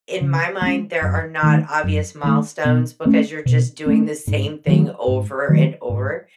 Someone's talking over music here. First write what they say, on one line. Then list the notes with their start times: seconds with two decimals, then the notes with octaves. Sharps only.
in my mind, there are not obvious milestones, because you're just doing the same thing over and over.
0.21 C#3
0.62 G#3 C#4
1.02 F#2
1.43 D#3 A3
1.84 F#2
2.23 D#3 A3
2.65 B2
3.05 A3 C#4
3.46 B2
3.86 A3 C#4
4.27 G#2
4.67 D#3 F#3 A3
5.08 G#2
5.49 D#3 F#3 A3
5.89 G#2